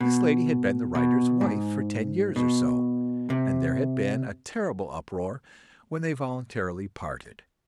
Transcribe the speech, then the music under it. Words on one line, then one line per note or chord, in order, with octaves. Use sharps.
This lady had been the writer's wife for ten years or so, and there had been a terrible uproar when they voluntarily parted.
B2
B2
G#2
B2
C3